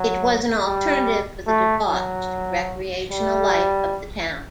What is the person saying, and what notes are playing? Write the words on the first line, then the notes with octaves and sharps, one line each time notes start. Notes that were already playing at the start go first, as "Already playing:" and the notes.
It was "an alternative for the 'debauched' recreational life of the town".
Already playing: F#3
G3
A3
F#3
G3